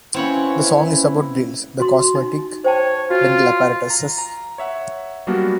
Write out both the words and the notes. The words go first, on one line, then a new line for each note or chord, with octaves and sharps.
The song is about grills, the cosmetic dental apparatuses.
C#3 A#3 C4 C#4 E4 B4 C#5 F#5
F#4 C6
D#4
C5 C#5 G5 A5
F4 F#4
A#5
A#5
C#5 E5 F#5
F#3 G3 A#3 B3 D4 F#4